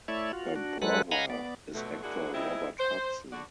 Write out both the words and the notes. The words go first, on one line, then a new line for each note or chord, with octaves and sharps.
Her brother is actor Robert Hudson.
A3 E4 C#5 D5 E5
F4 F#4
D4 F#4
F#3 G#3 A4 B4 F#6
D#5 F5 F#5 G#5 A#5 B5
B3 D5
F2 B2 F#3 A3
G#3 A#3 D4 E4 F#4 G#4
G3 G#3 C4 D#4 E4
C5
D3 F#4 D5